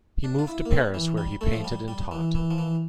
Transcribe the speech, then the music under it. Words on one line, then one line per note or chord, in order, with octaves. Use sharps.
He moved to Paris where he painted and taught.
D4
F4
E4
A#3
C4
E3
G3
A3
F3
G3
G3
E3
E3
F3
E3